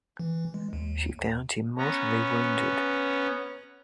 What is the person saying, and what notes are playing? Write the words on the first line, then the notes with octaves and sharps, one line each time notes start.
She found him mortally wounded.
E3
G#3
D#2
B3 C#4 A#5